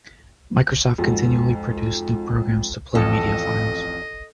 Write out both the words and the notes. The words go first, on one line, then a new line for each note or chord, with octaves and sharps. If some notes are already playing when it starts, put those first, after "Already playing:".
Microsoft continually produced new programs to play media files.
F2 G#2 G#3 F#4
A1 F2 A4 D#5